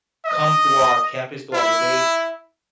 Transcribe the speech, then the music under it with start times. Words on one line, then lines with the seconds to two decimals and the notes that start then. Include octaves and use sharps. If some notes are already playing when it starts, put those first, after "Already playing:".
come through our campus throughout the day
0.25 D#5
1.53 E4